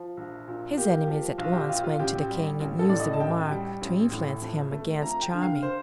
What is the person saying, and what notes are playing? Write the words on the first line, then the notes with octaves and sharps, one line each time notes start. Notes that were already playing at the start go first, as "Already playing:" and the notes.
His enemies at once went to the King and used the remark to influence him against Charming.
Already playing: F3
A#1
A#2
A#3 G4
F3
A#1 F4
G4
A#2 F4
F4
A1 G4
G3
A1
A4
A2 D5
D#5
A5
A1 G5
G3
A1
A2
F2
A3
F2 A#5
G5
D3
F5
C5